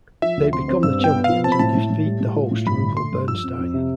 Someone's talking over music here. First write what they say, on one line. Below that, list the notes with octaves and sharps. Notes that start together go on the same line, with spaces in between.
They become the champions and defeat the host Rugal Bernstein.
F3 E5
D2
C4 C6
C4
G2 E6
B3
G5
B3
F3 F5
C4 A5
B5
A2 A5
A2
A2
G3
A2
F4
A2
G2 B5
D3
A3 C6
G2
F3 E6
F2
F2
C3